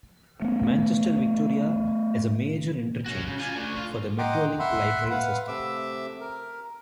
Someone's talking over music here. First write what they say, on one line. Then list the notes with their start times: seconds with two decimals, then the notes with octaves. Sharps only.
Manchester Victoria is a major interchange for the Metrolink light rail system.
0.42 A3 B3
3.06 C#4 F#4
3.26 C#3
3.39 F4 G#5
3.56 A3 D4
3.77 F4
4.18 D#5 F#5 G5 A#5 C6 D6
4.59 E5 F#5 B5 C6
5.11 B4 F5 F#5
5.48 C3 A3 E5 D6 E6
6.21 A#4